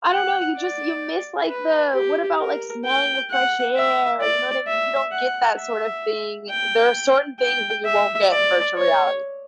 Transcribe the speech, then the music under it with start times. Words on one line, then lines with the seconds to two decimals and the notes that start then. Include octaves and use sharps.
I don't know, you just you miss, like, the what about, like, smelling the fresh air? You know what I mean? You don't get that sort of thing. There are certain things that you won't get in virtual reality.
0.12 F#5
0.57 D5
1.49 B4
1.94 G4
2.39 A#4
2.85 G5
3.30 F#5
3.76 E5
4.21 D5
4.67 E5
5.13 F#5
5.58 E5
6.49 G5
7.40 G5
7.86 E5
8.31 D5
8.77 C#5